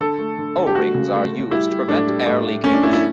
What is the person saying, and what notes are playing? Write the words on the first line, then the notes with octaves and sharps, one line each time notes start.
O-rings are used to prevent air leakage.
D3 A4
A3
D3
D3
G4
A3 F#4
C#3
A3
A3
G3 E4
G3
A2 D4
G3
A2
A2
A3 C#4
D4
A3 E4
E4